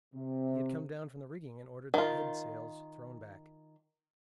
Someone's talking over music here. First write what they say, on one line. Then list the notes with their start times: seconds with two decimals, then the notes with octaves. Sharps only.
He had come down from the rigging, and ordered the head-sails thrown back.
0.15 C3
1.94 D#3 F4